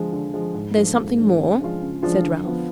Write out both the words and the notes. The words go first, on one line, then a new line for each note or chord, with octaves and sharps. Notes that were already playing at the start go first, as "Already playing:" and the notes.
'There's something more,' said Ralph.
Already playing: D3 F3 G#3
D3
F3 G#3
G#2
F3 A3 D4
G#2
F3 A3 D4
C#3
F3 G#3 D4 F4
C#3
F3 G#3 D4 F4
D3
F3 B3 F4